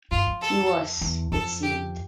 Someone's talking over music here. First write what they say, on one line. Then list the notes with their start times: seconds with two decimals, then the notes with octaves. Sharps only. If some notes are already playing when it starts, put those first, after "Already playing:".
He was, it seemed.
0.11 G2 F4
0.27 F2
0.41 A4
1.01 E2
1.32 F2 A4
1.63 G4